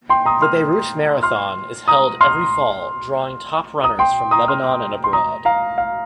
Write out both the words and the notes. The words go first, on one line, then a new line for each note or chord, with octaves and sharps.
The Beirut Marathon is held every fall, drawing top runners from Lebanon and abroad.
G5 C6
A#5 D#6
C6 F6
C6 F6
A#5 D#6
C6 F6
A#5 D#6
G5 C6
A#5 D#6
C6 F6
C6
A#5 D#6
F5 A#5
F5